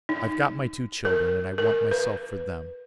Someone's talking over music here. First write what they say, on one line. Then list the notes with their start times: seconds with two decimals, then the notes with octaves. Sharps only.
I've got my two children and I want myself for them.
0.09 D#4
1.05 A#4
1.58 A#4
1.91 B4